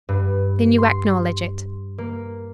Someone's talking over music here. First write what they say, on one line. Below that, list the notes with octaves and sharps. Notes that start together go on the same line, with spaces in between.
"Then you acknowledge it?"
G2
C6
A#3